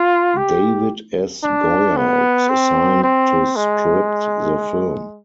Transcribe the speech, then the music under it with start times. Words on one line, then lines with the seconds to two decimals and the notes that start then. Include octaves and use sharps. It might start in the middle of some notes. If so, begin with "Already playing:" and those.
David S. Goyer was assigned to script the film.
Already playing: F4
0.37 G4
1.43 D4
1.97 B3
2.49 C4
3.04 C4
3.56 G#3